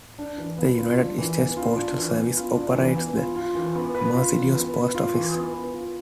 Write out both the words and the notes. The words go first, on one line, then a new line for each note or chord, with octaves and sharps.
The United States Postal Service operates the Mercedes Post Office.
D4
E3
B3
F4
D4
E3
B3
F4
D4
E3
B3
F4
D4
E3
B3
F4
F4
E3
B3
B4
F4
E3
B3
B4
F4
E3
B3
B4
F4